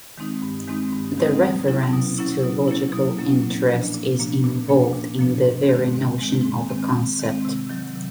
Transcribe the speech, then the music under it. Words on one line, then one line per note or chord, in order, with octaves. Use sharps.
The reference to logical interest is involved in the very notion of a concept.
D#3 G#3 C4 D#4
G2
D#3 G#3 C4 D#4
G2
D#3 G#3 C4 D#4
B2
F#3 A#3 C#4 E4
B2
F#3 A#3 C#4 E4
B2
F#3 A#3 C#4 E4
B2
F#3 A#3 C#4 E4
A#2
F3 A#3 D4
A#2
F3 A#3 D4
A#2
F3 A#3 D4
A#2
F3 A#3 D4
G#2
D#3 G#3 C4
G#2
D#3 G#3 C4
G#2
D#3 G#3 C4
G#2
D#3 G#3 C4
C3
D#3 F#3
C3